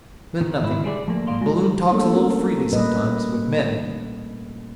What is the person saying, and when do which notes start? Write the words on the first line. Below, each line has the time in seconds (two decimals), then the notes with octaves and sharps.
I meant nothing, Balloon talks a little freely sometimes, with men.
0.41 D#3
0.62 G#2 E4
0.84 G3 G#4 C5 D5
1.08 F3 A3 A#3
1.27 G#2 D#3 A#3 D5 F5 C6
1.41 G#3 F#4
1.92 G3 A3 A#3 D4 A4
2.13 C4 C#4 A#4
2.73 A#2 G3 A#3 A#4 B4 D#5